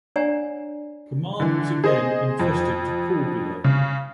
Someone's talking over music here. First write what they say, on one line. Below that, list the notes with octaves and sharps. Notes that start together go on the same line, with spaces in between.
Command was again entrusted to Corbulo.
D4 C#5 D5 F#5 G#5 A#5
D3 E3
G#4 C5 D#5
F2
C#3